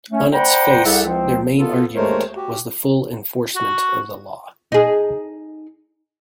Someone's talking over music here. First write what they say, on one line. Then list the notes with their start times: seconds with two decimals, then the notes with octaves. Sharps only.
On its face, their main argument was the full enforcement of the law.
0.10 A3 C#4
0.32 C5 D5 F#5 G5 A#5 B5
0.84 C2 G#4 A4 E5 F#5
1.05 C#2 F3 C4
1.58 B3 F4 A4
1.96 D#2 G#3 A3 A#4 C5 C#5
2.36 F#4 G4
3.56 F#4
4.72 D#4 G#4